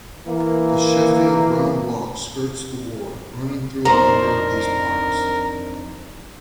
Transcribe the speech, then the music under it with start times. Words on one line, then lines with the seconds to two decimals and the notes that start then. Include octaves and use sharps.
The Sheffield Round Walk skirts the ward, running through a number of these parks.
0.27 E3 A#3
3.85 F2 D#3 D4 A#4 C5 A#5